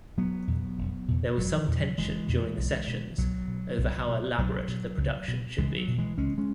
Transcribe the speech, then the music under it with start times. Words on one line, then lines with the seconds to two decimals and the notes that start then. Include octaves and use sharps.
There was some tension during the sessions over how elaborate the production should be.
0.17 E1 F#3 B3
0.47 E2 B2
0.78 E1
1.08 E2 B2
1.38 E1 F#3
1.58 E3
1.68 E2 B2
1.78 F#3
1.98 E1 E3 G#3
2.28 E2 B2
2.57 B1
2.88 B2
3.18 B1 F#3
3.48 B2
3.78 B1
4.08 B2
4.38 B1 F#3
4.68 B2
4.98 C#2
5.28 B2
5.58 C#2 E3 G#3
5.78 F#3
5.88 B2
5.98 E3 G#3
6.18 C#2 G#3 C#4
6.38 G#3 C#4